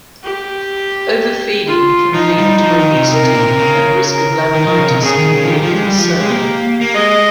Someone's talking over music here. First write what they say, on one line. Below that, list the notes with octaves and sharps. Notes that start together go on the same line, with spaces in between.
Overfeeding can lead to obesity, and risk of laminitis can be a concern.
G4
F4
F3 D#4
G3
F3
D#3
C3
C3 A#4
C3
A#2
C3
C#3
A#4
D#3
F3
C#3
C3
C#3 G#4
D#3
C#3
F3
D#3 G4
F3
G#3
G3
F3
G#3
A#3
A#3
G#3 D#5